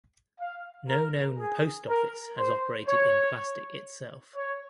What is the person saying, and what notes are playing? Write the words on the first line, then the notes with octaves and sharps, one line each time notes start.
No known post office has operated in Plastic itself.
F5
A#4
G#4
A#4
C5
C#5
C#5